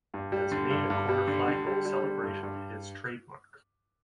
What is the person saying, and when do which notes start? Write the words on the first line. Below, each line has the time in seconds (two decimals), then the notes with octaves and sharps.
He has made a corner flag goal celebration his "trademark".
0.14 G2
0.32 G3
0.52 D3
0.70 G2
0.90 G2
1.09 G3
1.28 D3
1.48 D3
1.67 G3
1.86 G3
2.04 D3
2.23 G2
2.43 G2